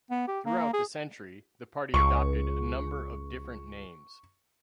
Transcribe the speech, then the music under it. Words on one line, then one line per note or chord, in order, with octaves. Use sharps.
Throughout the century, the Party adopted a number of different names.
B3
G4
A#3
G#4
C#2 C#6